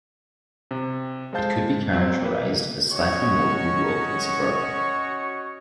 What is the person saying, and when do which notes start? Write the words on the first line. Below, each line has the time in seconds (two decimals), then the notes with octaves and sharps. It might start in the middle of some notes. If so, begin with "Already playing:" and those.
It could be characterized as slightly more rural than suburban.
0.71 C3
1.33 G#3 A4 C5 F5 A5 G6
1.92 F#3 C4
2.22 A#3 B4
2.92 C#4 F#4 C#5 D#5 C#6